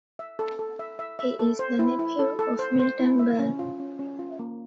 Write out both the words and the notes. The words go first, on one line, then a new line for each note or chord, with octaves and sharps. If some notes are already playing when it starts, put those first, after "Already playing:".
He is the nephew of Milton Berle.
E5
A4
A4
E5
E5
E5
A4
C5
E4
E4
A4
A4
C5
C5
E4
E5
C#4
F4
C#4
C#4
F4
A#3